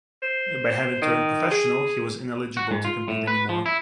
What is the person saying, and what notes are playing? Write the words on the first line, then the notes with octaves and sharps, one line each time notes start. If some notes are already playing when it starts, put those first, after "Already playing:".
By having turned ‘professional’ he was ineligible to compete any more.
C5
D#3
G#4
F#4
G#2
F4
A2
B4
F3
E4